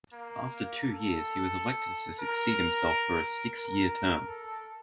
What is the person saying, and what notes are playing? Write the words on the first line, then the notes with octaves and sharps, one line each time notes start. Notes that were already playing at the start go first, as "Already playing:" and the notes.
After two years he was elected to succeed himself for a six-year term.
A#3
A4
A#4
A#4
A4